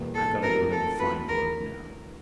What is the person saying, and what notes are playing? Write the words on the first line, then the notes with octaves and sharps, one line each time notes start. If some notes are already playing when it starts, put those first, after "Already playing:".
I've got to do a little fine work now.
Already playing: E2 B2 G3 A#3
A4
F3 A3 C4 D#4 F#4 A#4
A4
G2 E3 A3 C#4 F#4 B4
A#4